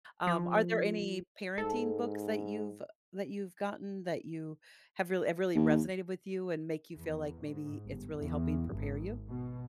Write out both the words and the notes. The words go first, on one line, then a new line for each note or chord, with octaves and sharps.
Um, are there any parenting books that you've that you've gotten that you have really have really resonated with you and make you feel like maybe it's really helping prepare you?
F3
G#2 A4
D#2
E2
G#2
G1
E2
G#1
B2